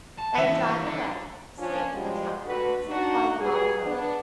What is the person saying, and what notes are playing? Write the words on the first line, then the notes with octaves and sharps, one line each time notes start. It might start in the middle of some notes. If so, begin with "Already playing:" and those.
They drive away, escaping the trap being set by the Navajo.
A5
E3 A#3 E5
D3
F3 C#4 D4
B2 F3 G3 G#3
D3 F#4 B4
D4 D#4 F#4
F#3 B3 G4 G#4
B3 D4